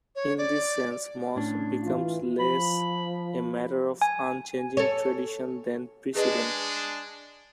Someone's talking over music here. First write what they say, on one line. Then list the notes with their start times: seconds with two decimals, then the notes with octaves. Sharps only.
In this sense, "mos" becomes less a matter of unchanging tradition than precedent.
0.16 C#5
0.38 D5
1.36 A2 C#4 D4
1.84 E3 F4
2.39 F3 B5
4.02 G#5
4.77 A4 C#5
6.15 G#3 D4 G#4 B4 D#5